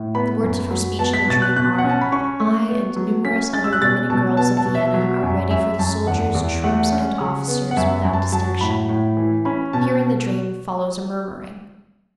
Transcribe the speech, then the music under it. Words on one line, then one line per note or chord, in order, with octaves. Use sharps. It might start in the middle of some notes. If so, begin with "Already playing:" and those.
The words of her speech in the dream are, 'I and numerous other women and girls of Vienna are ready for the soldiers, troops, and officers, without distinction....' Here in the dream follows a murmuring.
Already playing: A2
B3 B5
F#2
F#3
B3 A5
B6
B2 A6
F#6
B2 F#6
F#5
C#4
A5
B5
C#4 C#6
A3
B3
F#3
C#4 B6
C#4 A6
E6
F#6
B2 A6
B2 A5
B3 A5
A5
B2
E5
F#3
F#2
F#2 E5
F#2 A5
E2 F#5
E2
A3 F#5
C#4
C#3
B3
F#5
F#2 E5
E5
F#2
A5
F#3 A5
A2 B5
A2
E3
C#4 B5
B2 A5